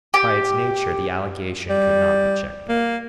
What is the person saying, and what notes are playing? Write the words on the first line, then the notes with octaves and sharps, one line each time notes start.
By its nature, the allegation could not be checked up.
G4
G3
A#3